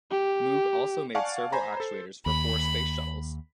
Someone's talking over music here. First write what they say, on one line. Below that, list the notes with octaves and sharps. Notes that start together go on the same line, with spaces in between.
Moog also made servo-actuators for four Space Shuttles.
G4
D5 F5 F#5 G#5 A5 C#6
C5 G#5 A#5 B5
A4 C5
D#2 B5